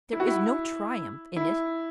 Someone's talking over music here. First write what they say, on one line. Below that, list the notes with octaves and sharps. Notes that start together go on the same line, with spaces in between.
There is no triumph in it.
E4
F#4
E4
E4